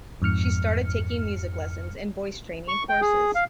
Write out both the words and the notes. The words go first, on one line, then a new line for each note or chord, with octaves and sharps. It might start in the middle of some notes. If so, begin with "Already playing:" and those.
She started taking music lessons and voice training courses.
F2 G#2 F6 C#7
C#6
G5
G#4
F5